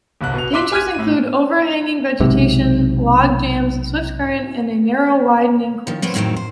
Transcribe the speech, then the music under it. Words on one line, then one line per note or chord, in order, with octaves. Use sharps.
Dangers include overhanging vegetation, logjams, swift current, and a narrow winding course.
G1 C2 F#6
B2 F7
E5 C6 D6 F#6 B6
G#5 F6 F#6 G#6 D#7
A2 D#7
B1 G#2 C3
D#3 F3
F3 B3 C4 C5 C#5
F2 A2 D#3 F3 F#3 C4
C5